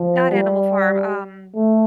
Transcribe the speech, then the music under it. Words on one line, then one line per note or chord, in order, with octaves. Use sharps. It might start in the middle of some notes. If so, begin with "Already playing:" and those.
not Animal Farm, um
Already playing: F3
G3
A3